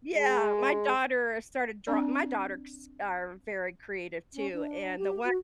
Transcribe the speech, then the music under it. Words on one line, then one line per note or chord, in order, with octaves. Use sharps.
Yeah, my daughter started draw my daughters are very creative too, and the one
G#3
C4 D4 D5
C#4
D4
G4
F#4